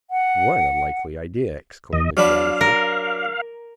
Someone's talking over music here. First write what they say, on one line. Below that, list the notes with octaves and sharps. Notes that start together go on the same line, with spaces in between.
"What a likely idea!" exclaimed the geographer.
F#5
E2 D#5
F#3 D4 B4 F5
A#4